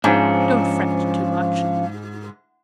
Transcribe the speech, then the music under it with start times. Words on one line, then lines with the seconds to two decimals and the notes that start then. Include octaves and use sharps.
Don't fret too much.
0.04 G#2 F3 C#4 D4